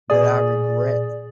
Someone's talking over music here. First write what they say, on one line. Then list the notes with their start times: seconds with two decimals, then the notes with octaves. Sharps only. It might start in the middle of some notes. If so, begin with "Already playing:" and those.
that I regret."
0.10 A#2 G#4 D5 D#6